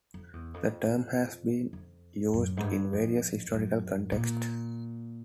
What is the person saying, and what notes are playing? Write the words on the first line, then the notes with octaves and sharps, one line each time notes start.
The term has been used in various historical contexts.
F2
E2
F2
F2
F#2
G#2
G2
F2
F#2
A#2